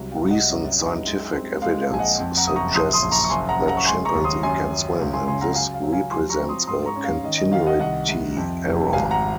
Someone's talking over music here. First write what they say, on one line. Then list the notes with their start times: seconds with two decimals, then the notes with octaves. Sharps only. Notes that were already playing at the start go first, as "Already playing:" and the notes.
Recent scientific evidence suggests that chimpanzee can swim, and this represents a continuity error.
Already playing: C2 F#3
0.12 F5
0.22 C2
0.30 D#5 F#5
0.50 F#2
0.78 D#4
1.06 G#3
1.34 C4
1.62 G#3 F5
1.81 F5
1.90 A#1 G#5
1.99 D#5 F#5
2.19 F2
2.37 F#5 A#5
2.47 F#1 D#6
2.56 A#5 C#6
2.74 A#1 C6 D#6
2.93 C6 D#6
3.02 A#1
3.12 A#5 C#6
3.24 C#6
3.30 F#1 G#5 C6
3.49 F#5 A#5
3.58 C#3
3.68 F#5 A#5
3.77 C#6
3.86 G#3 G#5 C6
4.05 A#5 C#6
4.15 D#2
4.24 C6 D#6
4.43 F#2 G#5 C6
4.71 F#2
4.99 C#2
5.13 G#5 C6
5.27 C#3 G#5 C6
5.41 F#5 A#5
5.55 F#3 F5 G#5
5.74 F5
5.83 F#3
5.92 F5 G#5
6.11 F3 G#5 C6
6.30 A#5 C#6
6.40 C4
6.49 C6 D#6
6.67 G#2 C6 D#6
6.86 A#5 C#6
6.96 C#4
7.05 F5
7.24 D#3 D#5
7.38 D#5
7.51 D#3 F5
7.62 F5
7.66 D#5 F#5
7.80 C2 D#5 F#5
8.08 C2
8.37 F2
8.65 F1
8.93 G#1 F5 G#5
9.11 F#5 A#5